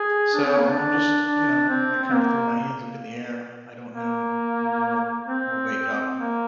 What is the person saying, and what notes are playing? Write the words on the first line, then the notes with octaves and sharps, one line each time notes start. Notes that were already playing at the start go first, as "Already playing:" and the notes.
so I'm just, you know, I kind of throw my hands up in the air, I don't know when we will we'll wake up.
Already playing: G#4
D4
C4
A#3
D4
D4
D4
C4
C4
A#3
A#3
C4
A#3